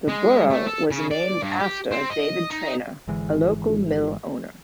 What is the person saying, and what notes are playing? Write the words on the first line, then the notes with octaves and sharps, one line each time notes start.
The borough was named after David Trainer, a local mill owner.
G#3
A3
A4
C#3
D5
G2
G4
C4
D#5
D#4
G#1 D3 E3 G#3